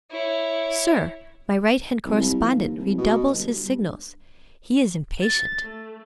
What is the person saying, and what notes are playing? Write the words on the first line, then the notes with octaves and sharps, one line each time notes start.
"Sir, my right-hand correspondent redoubles his signals; he is impatient."
E4 C#5
C2
C2
F3
D#2
C2
B2
G1
G2
A6
A3